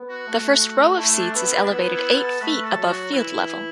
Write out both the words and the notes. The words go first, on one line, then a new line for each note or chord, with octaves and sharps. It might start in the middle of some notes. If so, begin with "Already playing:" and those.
The first row of seats is elevated eight feet above field level.
Already playing: B3
F#4
A3
A3 E4
D4
B3 E4
B4
D4
B3 E4
E4
A4
A3 B4
A4
F#3
F#4
E3 E4